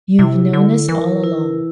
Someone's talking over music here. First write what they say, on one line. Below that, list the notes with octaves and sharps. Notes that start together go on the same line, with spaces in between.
You've known us all along.
C3 E4
D3 E4
E3 A#4
E4